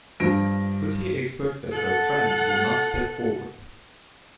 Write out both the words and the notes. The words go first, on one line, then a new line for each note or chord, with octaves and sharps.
Could he expect that her friends would not step forward?
G2 F3 A#6 D7
A4 F#5